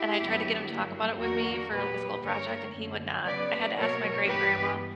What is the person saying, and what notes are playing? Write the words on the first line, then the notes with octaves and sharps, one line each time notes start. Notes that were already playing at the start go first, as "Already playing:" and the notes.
and I tried to get him to talk about it with me for, like a school project, and he would not. I had to ask my great-grandma,
Already playing: E4 G4
F#2 D3 F#3 B3
G2 F#3 A#3
E2 D3 A#3 F#4 A#4
A#2 F#3 B3 G4 B4
G2 D3 A#3 A#4 C#5
F#2 D3 A#3
C#3 F#3 B3 B4 D5
B2 F#3 A#3 A#4 C#5
G2 E3 B3 G4 B4